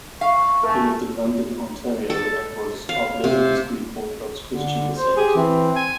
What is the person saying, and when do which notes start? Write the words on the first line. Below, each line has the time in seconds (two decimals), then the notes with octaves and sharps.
He lived in London, Ontario, and was of Lebanese Greek Orthodox Christian descent.
0.21 F5 C#6
0.63 A3 A#4 G#5
2.10 A4
2.89 F5
3.24 C3
4.51 D3
4.97 C5
5.17 G4 G#4
5.35 E3 C4
5.76 G#5